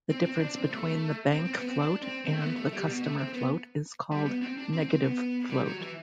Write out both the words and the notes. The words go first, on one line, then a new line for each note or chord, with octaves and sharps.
The difference between the bank float and the customer float is called 'negative float'.
C4
C4
D4
C4
A3
C4
C4
B3
C4
D4
C4
C4
A3
B3
A3
G3
B2
A3
C4
B3
G3
B3
C4
D4
C4
C4
B3
G3
F#3
E3